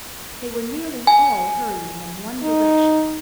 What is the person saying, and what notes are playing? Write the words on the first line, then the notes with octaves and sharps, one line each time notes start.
They were nearly all hurrying in one direction.
G#5
D#4